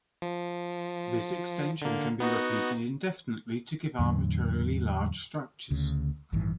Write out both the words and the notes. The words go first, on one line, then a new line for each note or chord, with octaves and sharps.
This extension can be repeated indefinitely, to give arbitrarily large structures.
F3
D3 A#3
B3 D#4 F#4
E2 A2 D3 F#3
D2 C#3
A1 G2 D#3 E3